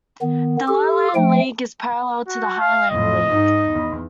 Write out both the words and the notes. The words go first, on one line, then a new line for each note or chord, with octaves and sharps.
The Lowland League is parallel to the Highland League.
D#3 B3
G4 A4
F3 A3 G5
F#4
F5
F2 A2 D#5
G#2 D#4
E2